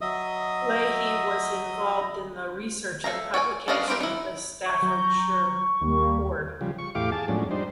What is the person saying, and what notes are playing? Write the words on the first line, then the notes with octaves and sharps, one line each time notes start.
Leahy was involved in the research and publication of the Staffordshire Hoard.
F#3 D#5 E5 D#6
A4 E5 F5 A#5
C#5 D5 F#5 G#5
B3 C#4 D4 D#5 F5
C4 E4 G4 A#4 B4
D#4 E4
E5 C#6 G6 G#6
F#3 A#5 G6
D#2 G3 A#3 G4
C#3 F3 G3
C#6
E2 A2 G4 F5 D6
G#4 A5
F2 A2 F#3 G#3 C#4 D4
G3 D4 D#4 C5